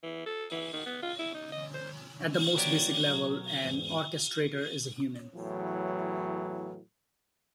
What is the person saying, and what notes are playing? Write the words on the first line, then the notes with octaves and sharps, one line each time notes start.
At the most basic level, an orchestrator is a human.
E3
A4
E3
D#3
B3
F4
E4
D#4
D#5
C5
E3 A#3 F#4 G4 C#5 D5
B1 F#3
E2 G#2
E2 A2 E3 F#3